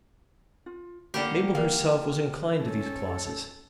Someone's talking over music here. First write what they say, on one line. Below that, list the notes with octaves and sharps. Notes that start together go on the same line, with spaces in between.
Mabel herself was inclined to these clauses.
F4
D3 A#3 E4 G4 B5
A#3 A#4 D5 F5
C#4 A4